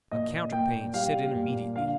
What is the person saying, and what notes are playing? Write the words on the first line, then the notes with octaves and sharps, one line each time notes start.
A counter-pain set in immediately.
A#2 D#5
A#2 G5
G3 F5
A#2
D3 F5